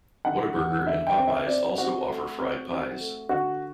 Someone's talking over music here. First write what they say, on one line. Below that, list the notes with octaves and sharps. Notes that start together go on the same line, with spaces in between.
Whataburger and Popeyes also offer fried pies.
D3 F#5
E2
D3 E5
G5
C4
E5
C4 D5
C4 F#4
A3
C4
C4
A3
D3 F#4